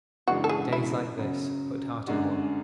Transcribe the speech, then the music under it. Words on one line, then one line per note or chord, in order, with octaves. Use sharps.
Days like this put heart in one.
F#2 C#3 E3 G#3 D4 F#4
A4
G#4
E4
F#2 C#3 F#3
F#2 D3 G#3 D4 F#4